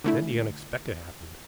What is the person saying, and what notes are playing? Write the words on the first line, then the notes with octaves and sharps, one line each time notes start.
Then the unexpected happened.
D3 A3 E4